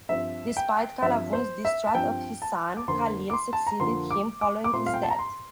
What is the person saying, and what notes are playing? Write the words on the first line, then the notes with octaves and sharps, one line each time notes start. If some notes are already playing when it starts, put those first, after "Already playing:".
Despite Qalawun's distrust of his son, Khalil succeeded him following his death.
G2 F3 C4 E5
G5
G2 F3 C4 E5
C5
E5
A5
G2 F3 C4 G5
A5
D6
F2 D3 F3 A#3 C6
D6
C6
A5
A#5
F2 D3 F3 A#3 C6
D6
D6
D6
A#2 A3 C4 C6
F5
G5
A5
A#5
C6